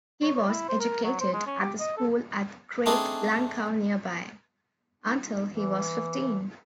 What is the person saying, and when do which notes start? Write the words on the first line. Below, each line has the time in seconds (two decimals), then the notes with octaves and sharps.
He was educated at the school at Great Blencow nearby, until he was fifteen.
0.23 C#5
0.35 C#5
0.48 E4
0.69 C5
0.80 A#4
1.04 F#3
1.20 C5
1.33 G#3
1.47 C#4
1.60 G4
1.80 D#5
1.97 A4
2.86 A3 C4 D4 D#4 G#4
5.49 E3